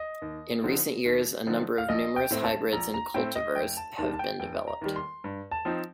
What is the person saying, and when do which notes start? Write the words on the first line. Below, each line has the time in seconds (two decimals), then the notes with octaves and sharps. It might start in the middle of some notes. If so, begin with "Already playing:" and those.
In recent years a number of numerous hybrids and cultivars have been developed.
Already playing: D#5
0.22 D#2
0.63 D3 F3 C4 D#4
1.05 D#2
1.47 D3 F3 C4 D#4
1.78 F5
1.88 A#1 D#5
2.16 G5
2.31 A2 A3 C4
2.44 A5
2.73 A#1 A#5
2.94 A#5
3.14 A2 A3 C4 G5
3.35 D#5
3.56 F1 G5
3.77 A5
3.98 D#2 D#3 G3 A5
4.13 A5
4.19 G5
4.40 F1 G5
4.67 A#5
4.81 D#2 D#3 G3
4.96 C6
5.24 G2
5.51 A5
5.65 F3 C4 D#4